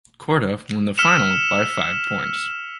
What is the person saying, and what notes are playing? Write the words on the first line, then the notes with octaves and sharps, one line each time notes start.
Corduff won the final by five points.
E6 F6 B6 C#7 E7 F7